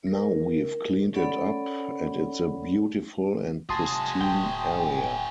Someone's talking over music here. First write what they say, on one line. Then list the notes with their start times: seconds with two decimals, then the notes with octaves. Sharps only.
Now we've cleaned it up, and it's a beautiful and pristine area.
0.07 A#4
1.14 C#4 A4 C#5 D5 F#5 B5
3.69 F1 F#4 G#4 A5 C6 D#6
4.21 D1 G5